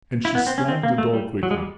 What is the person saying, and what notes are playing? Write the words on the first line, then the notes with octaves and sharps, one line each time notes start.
And she slammed the door quickly.
E4
B3
C4
C#4
C4
A#3
A3
G3
F#3
G#3
G3